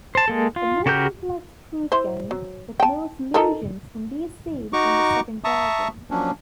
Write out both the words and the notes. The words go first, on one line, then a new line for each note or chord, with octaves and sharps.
A more complex proofgame, with more solutions, can be seen in the second diagram.
C5 A5
G#3 A#3 A4
F4
C#3 F#4 G4 A#4 G6
E4 C5
F#3
G5 A5
D#4 A4 A#4
D#4 F#4 A#5 C#6 D6
E5 A5 A#5 C#6 D#6
F3 F#3 A#3 C#4 D4